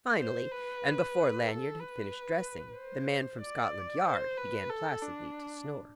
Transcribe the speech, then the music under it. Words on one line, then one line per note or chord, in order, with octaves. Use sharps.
Finally, and before Lanyard had finished dressing, the man from Scotland Yard began placidly to snore.
C5
B4
A4
B4
C5
D5
C5
B4
A4
D4